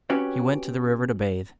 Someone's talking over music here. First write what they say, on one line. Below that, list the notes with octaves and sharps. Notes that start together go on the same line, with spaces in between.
He went to the river to bathe.
C4 C#4 F#4 G4 B4 C#5